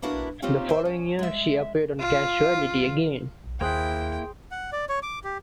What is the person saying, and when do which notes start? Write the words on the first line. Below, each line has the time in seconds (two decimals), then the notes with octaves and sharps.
The following year, she appeared on "Casualty" again.
0.02 A#3 B3 D4 E4 F#4 A#4
0.42 A#3 C4 C#4 D#4 F4 G4
0.69 C5 E5
0.85 C#4
1.19 G#3 E5
2.00 F4
3.61 D#2 A#3 E4 G#4 C5 G5 F#6
4.51 F#5
4.72 D5
4.89 C#5
5.03 D6
5.24 G4